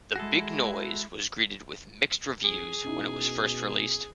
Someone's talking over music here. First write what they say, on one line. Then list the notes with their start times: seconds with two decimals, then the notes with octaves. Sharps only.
"The Big Noise" was greeted with mixed reviews when it was first released.
0.16 G#3 E4 F#4 G#4 A4
2.44 F2 G#4
2.84 B2 C#4 D#4 E4